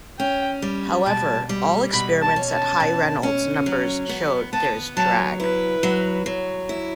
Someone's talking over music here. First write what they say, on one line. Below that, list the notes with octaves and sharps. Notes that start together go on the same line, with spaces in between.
However, all experiments at high Reynolds numbers showed there is drag.
C#4 G5
G3
B2 A5
G3
B2 B5
A5
C#4
A5
B2
C#4
F#3
B3
B3 A5
F#3 A5
E4 B4
F#3
F#3
E4